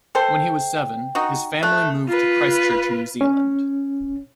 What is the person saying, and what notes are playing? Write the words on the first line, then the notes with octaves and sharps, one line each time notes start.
When he was seven his family moved to Christchurch, New Zealand.
A4 C5 G5
D#4 F#4
A3 F#6
F4 B4
C#4